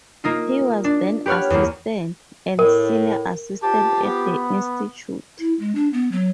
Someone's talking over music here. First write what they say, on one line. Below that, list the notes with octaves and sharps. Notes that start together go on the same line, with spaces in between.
He was then assistant and senior assistant at the institute.
A#3 D#4 F4
D4
G4 B4 C#5 F#5 F6
E2 A#3
A2 A#4
C4 F4 G4 A5
B3
E4
G#3
D4
B3
F#3